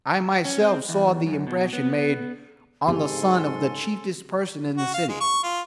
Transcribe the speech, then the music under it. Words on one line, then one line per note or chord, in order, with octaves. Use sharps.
I my self saw the Impression made on the Son of the Chiefest Person in the City.
C#4
C4
E2
F#2
B2
B3
G#2 C#3 C4 G4 A4 G#5 C6
F#4
F5
G#3
C#6
F4